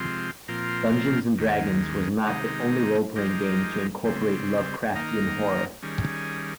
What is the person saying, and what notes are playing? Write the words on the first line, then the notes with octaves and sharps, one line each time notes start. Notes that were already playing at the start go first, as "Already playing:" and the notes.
"Dungeons and Dragons" was not the only role-playing game to incorporate Lovecraftian horror.
Already playing: C3 F3 G#3 C4 F4
A#2 F3 C4 F4 A#4
D#2 D#3 G#3
C3 D#3 G#3 D#4
F3 G#3 D#4 G4 A#4
C#3 G3 C4
D#3 A#3 D#4 A#4
D#3 G3 C#4 G#4